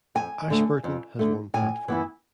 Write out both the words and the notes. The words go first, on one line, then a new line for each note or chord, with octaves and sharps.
Ashburton has one platform.
F2 G#5
D3 A3
F2
D3 A3
A2 G#5
E3 B3 E4